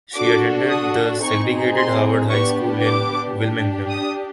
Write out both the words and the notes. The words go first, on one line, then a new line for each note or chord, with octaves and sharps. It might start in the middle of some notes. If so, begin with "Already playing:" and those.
She attended the segregated Howard High School in Wilmington.
D4 F#4 A4 D6
D#6
C4 D#4 G#4 C#6
C6
B3 D4 G4 C#6
D6
D4 G4
D#6